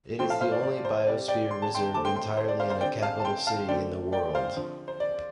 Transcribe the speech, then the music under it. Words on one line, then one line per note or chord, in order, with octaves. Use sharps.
It is the only Biosphere Reserve entirely in a capital city in the world.
A2 F3 A3 C4 G5 C6
F5 A5
C5 F5
D5
D5
C5
C3 G3 C4 D5
D5 G5
C6
A5
G5 C6
D3 A3 C4 A5 D6
G5 C6
G5 C6
C5
D5
C5 F5
C5 F5
D3 G3 C4 D5 G5
F5 A5
A5
G5 C6
F5 A5
D3 A3 C4 D5 G5
D5 G5
C5 F5
D3 F3 C4
C5
D5